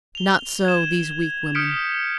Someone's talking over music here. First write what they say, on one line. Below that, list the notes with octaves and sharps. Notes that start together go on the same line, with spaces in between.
Not so these weak women.
F7 G7
G#6 E7
D#6 F6 G6 B6 C#7 D7